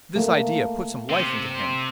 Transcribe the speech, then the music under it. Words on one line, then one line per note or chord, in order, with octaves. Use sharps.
This idea put some life into him.
A3 A#3
C3